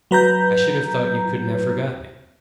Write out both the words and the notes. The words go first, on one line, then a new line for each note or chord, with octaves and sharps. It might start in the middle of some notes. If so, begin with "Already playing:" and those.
"I should have thought you couldn't have forgotten it?"
F#3 B4 A#5 G6